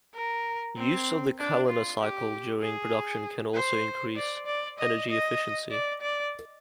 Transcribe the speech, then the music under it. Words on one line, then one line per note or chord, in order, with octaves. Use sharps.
Use of the Kalina cycle during production can also increase energy efficiency.
A#4
C4
D4
F4
G4
G#4
C5
D5
D5
D#5
D#5
D5
D5